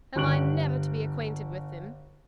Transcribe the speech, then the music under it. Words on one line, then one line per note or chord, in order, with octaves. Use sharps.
Am I never to be acquainted with him?
G1 G4 C#6 F#6 D7 F#7